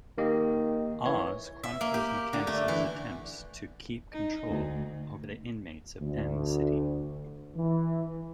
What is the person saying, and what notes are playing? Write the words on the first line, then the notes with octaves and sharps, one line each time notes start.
"Oz" chronicles McManus' attempts to keep control over the inmates of Em City.
D#3 A#3 G4 D#5
E3 C#5
E5
A#3
G4
D3
A3
E3
D#4
D2
D2
E3